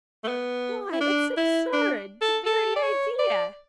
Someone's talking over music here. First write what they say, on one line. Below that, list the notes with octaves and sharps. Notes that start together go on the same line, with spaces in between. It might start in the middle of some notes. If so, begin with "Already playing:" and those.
Why, it's absurd! the very idea!
A3
B3
E4
D4
E4
D4
A4
A4
D5
C#5
D5